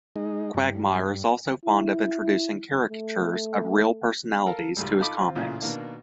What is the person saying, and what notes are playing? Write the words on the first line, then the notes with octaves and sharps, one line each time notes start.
Quagmire is also fond of introducing caricatures of real personalities to his comics.
G#3 D#4
G2
E4
A3
A4 A#4 F5
G#1 C#2 G3
D#4 F4 A4 D#5 B5 D6
C4 F4
A1 A#2 C#3 F4
B2 D#3 A#3 D4